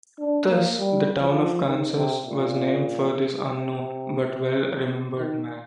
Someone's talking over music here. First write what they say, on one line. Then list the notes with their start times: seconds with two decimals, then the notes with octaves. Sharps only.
Thus, the town of Kansas was named for this unknown, but well remembered man.
0.19 D4
0.49 A#3
0.78 G3
1.22 F3
1.66 D#3
1.96 C3
2.25 A#2
3.42 C3
5.18 D#3